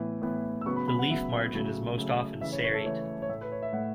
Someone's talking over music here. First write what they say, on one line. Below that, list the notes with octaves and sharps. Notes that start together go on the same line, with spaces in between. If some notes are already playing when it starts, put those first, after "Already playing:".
The leaf margin is most often serrate.
Already playing: A2 E3 B3
A2 E3 B3
E6
C#3 F#3 B3 C#6
B5
B5
F#5
C#3 F#3 B3 E5
C#3 F#3 A3
C#3 F#3 A3
C#3 E3 A3 E5
C#5
C#5
A4
C#3 E3 A3 C#5
C#5
A2 A3 E5
B4
C#5
E5
A2 A3 F#5